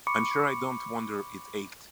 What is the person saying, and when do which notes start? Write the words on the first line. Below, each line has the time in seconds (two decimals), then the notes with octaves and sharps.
I'm sure I don't wonder it ached.
0.07 B5 C#6 D6 C#7